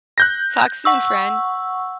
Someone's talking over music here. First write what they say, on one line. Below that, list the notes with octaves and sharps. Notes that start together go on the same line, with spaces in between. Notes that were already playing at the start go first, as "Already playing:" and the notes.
Talk soon, friend.
F#6 G6 A#6
F#5 C#6 E6